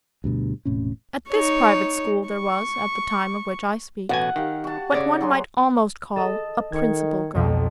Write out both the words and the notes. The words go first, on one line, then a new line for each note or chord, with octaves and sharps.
At this private school, there was, at the time of which I speak, what one might almost call a "principal girl."
D2 G2 B2
E1 A2 C3 C#4
D#4 C#5
C#6
A1 B2 F#5 G#5
D#3 G4 F5
F#4 A5
C#3 C#5 D5 A#6
F#3 G#4 C6
A4 D#5
D#3 G#6 C#7
B1 F2